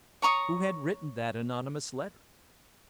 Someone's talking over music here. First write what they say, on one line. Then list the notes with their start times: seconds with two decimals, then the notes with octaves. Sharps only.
Who had written that anonymous letter?
0.22 C#5 A#5 C#6 D#6